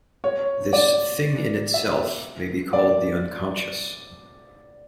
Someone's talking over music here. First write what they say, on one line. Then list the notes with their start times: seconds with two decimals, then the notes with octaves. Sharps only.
This thing-in-itself may be called the Unconscious.
0.24 C#5
0.73 D5
1.74 E5
2.73 D5